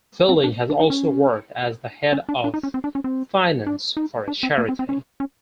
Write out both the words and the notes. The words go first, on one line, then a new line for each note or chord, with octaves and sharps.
Fielding has also worked as the head of finance for a charity.
C4
D4
D4
D#4
C#4
C#4
D4
D4
D#4
C#4
C4
D4
C#4
C4
D4
D#4
D4
C4
A#3
C4
C4
C#4
C#4